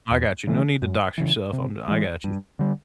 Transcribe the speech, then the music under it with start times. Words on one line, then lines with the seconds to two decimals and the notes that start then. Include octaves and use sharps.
I got you, no need to dox yourself, I'm d I got you.
0.11 E2
0.47 C#3 E3 A3
0.82 F#2
1.18 C#3 E3
1.53 C3
1.88 E3 G#3
2.24 G2
2.59 D3 G3